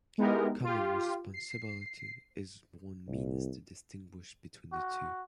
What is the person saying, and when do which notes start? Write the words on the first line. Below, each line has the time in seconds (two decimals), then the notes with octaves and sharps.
Command responsibility is one means to distinguish between the two.
0.18 G#3 B3 D#4 E4 G4 A#4
0.64 F4 G4
1.34 C7
3.07 C2
4.72 F#4